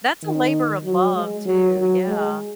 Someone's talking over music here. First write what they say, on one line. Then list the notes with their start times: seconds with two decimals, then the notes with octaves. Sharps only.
That's a labor of love, too, yeah.
0.23 D#3
0.84 F#3
1.15 G#3
1.46 F#3
1.77 F#3
2.07 G#3